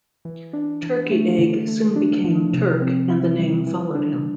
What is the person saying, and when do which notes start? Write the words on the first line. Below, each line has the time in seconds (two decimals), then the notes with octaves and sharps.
"Turkey Egg" soon became "Turk", and the name followed him.
0.25 E3
0.53 D4
0.83 E3
1.11 A3
1.39 D3
1.68 A3
1.96 D4
2.24 F3
2.54 C3
2.82 C4
3.10 E4
3.38 G3
3.67 E3
3.95 D4